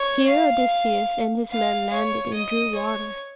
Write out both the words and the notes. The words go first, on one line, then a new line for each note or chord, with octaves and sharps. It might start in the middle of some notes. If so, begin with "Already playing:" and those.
Here Odysseus and his men landed and drew water.
Already playing: C#5
F5
F5
C#5
D#5
C#5